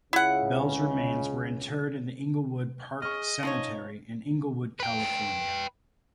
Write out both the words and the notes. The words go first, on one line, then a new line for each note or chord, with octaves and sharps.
Bell's remains were interred in the Inglewood Park Cemetery in Inglewood, California.
C#2 C#3 E4 F#5
G#4 D#5 C#6 F6
F3 C#4 D#4 C#5
B4 G5